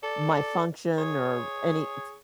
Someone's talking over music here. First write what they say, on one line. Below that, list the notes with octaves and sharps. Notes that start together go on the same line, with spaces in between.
my function or any p
A4 D5
G#4 C#5